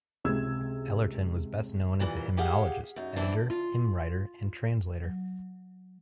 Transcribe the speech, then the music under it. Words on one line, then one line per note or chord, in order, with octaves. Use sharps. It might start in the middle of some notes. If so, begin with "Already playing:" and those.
Ellerton was best known as a hymnologist, editor, hymn-writer and translator.
C#2 C3 E6 G#6
A#2 E3 G3
G4 G#4 F5 F#5
F#2 D#4
E3 C4 D4 E4
F4
F#3